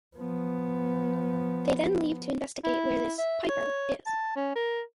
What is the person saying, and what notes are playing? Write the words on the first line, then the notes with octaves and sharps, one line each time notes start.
They then leave to investigate where this 'piper' is.
F3 B3
E4
E5
C#5
A5
C#4
A#4